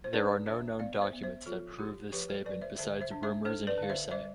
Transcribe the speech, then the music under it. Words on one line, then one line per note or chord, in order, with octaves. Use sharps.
There are no known documents that prove this statement besides rumours and hearsay.
C5
D4 B4 D5
D4 C5 E5
B3 D5 F5
C5 E5
B3
C5 E5
F3 F4 A4
F3 E4 G4
F3 G4 B4
A4 C5
F3 B4 D5
C5 E5
D3 C5 E5
C5 E5
D4
C5 E5
D4 A4 C5
B4 D5
D3 F5
C5 E5
G3 C5 E5